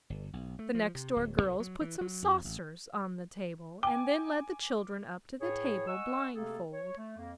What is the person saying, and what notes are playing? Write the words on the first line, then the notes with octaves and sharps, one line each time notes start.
The next-door girls put some saucers on the table and then led the children up to the table, blindfold.
G1
B1
A3
F3
C3
D1
B1
F#3
E3
F#3
F2
A1
G5 G#5 D6
A2 G#4 B4 C#5
D#5 F#5 G#5 C#6 E6
C3 A3 A#3 C4 G#4 A4
C#5
A3
F2 A#3